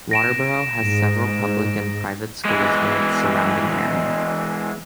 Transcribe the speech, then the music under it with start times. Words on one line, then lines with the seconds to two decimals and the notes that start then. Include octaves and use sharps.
Walterboro has several public and private schools in its surrounding area.
0.11 A#6 D7 E7
0.79 G#2
2.45 E3 G#3